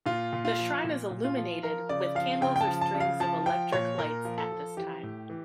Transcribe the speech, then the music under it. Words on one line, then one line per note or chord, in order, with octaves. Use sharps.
The shrine is illuminated with candles or strings of electric lights at this time.
A#2 F4
A#2
F4
F3
A#2
A#2
F4
F3
F3 A#4
C#3 D5
F3 F5
C#3 G5
G5
A5
F3
A5
C#3
F5
F3 A5
F3 G5
A#2 C#5
A#2 A#4
F3
A4
F3
E3 G4
A2
E3